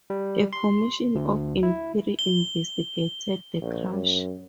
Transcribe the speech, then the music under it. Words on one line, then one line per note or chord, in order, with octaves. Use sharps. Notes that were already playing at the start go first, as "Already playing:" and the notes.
A Commission of Inquiry investigated the crash.
G3
C6
D2
E4
G7
A#1
F#2